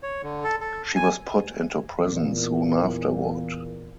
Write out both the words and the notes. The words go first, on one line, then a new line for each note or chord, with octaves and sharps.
She was put into prison soon afterward.
C#5
D3
A4
A4
G#5
E2 A#2